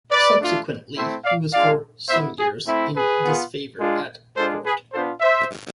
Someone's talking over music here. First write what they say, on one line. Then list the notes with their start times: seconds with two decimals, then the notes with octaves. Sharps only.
Subsequently he was for some years in disfavour at court.
0.11 B4 D5
0.39 A3 D4 F4
0.96 A3 C4 E4 C5 E5
1.25 D5 F5
1.53 G#3 D4 F4 D5 F5
2.09 B3 E4 C5 E5
2.39 G#4
2.66 A3 C4 E4
2.95 G#4 B4
3.23 B3 F4
3.80 G#3 D4 F4
4.36 G#3 D4 F4 A4 C5
4.64 G#4 B4
4.93 B3 D4 F4 A4 C5
5.20 C5 E5